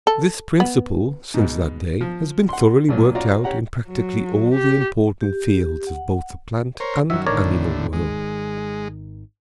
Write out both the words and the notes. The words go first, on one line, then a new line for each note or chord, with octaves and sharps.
This principle, since that day, has been thoroughly worked out in practically all the important fields of both the plant and animal world.
A4
B3
G#2 B2
F3
F#5 C6
B1 A#2 F#3
C#4 F4 F#4 D5 A#5
C#4 G4 F#5 A#5
F#3
G4
G4
F#5
A#4 C5 C#5
F#2 D#3 F#3 E5
G#1 A2 D3 D#3 A#4 C#5 D5
G#3